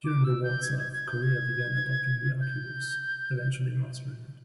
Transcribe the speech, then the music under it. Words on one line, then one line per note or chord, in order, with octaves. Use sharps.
During the war itself, Korea began adopting the Arquebus, eventually mastering it.
D6
E6
G6
G#6
G#6
G#6
G6
G#6
G6